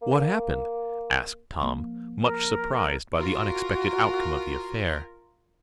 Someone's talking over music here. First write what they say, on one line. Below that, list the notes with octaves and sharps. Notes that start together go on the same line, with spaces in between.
"What happened?" asked Tom, much surprised by the unexpected outcome of the affair.
A#3
F3 A#3
A#4
F4 F#4 A#4